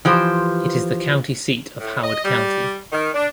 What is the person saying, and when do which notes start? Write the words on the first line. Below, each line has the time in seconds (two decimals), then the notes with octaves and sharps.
It is the county seat of Howard County.
0.05 E3 F3 G4 C5
1.81 A2
2.03 D#5
2.24 G3
2.92 D#3
3.14 D4